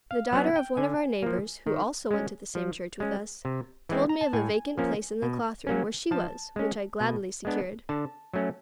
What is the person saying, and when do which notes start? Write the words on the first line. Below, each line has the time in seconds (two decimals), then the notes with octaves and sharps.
The daughter of one of our neighbors, who also went to the same church with us, told me of a vacant place in the cloth-room, where she was, which I gladly secured.
0.11 F5
0.33 F#3 B3 D4 F#5
0.56 G5
0.77 D3 G#5
1.23 F3 A#3
1.67 D#3
2.11 G#3 C#4
2.55 F3
3.00 G#3 C#4
3.45 C3
3.89 E3 G#3 C4
4.09 A#5
4.21 A5
4.33 A2 G#5
4.78 F3 A#3 C#4
5.22 B2
5.67 F#3 A#3 C#4
6.11 F3 A5
6.56 G#3 C#4
7.00 B2
7.45 G#3 B3 D4
7.89 D3 A5
8.34 F#3 A3 C#4